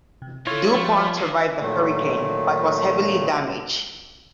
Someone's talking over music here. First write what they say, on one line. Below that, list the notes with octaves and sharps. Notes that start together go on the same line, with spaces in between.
"Du Pont" survived the hurricane, but was heavily damaged.
C3
E3 E4 F4 A4 C#5
F3 A3
G2
A#2 D#3 F#3 A3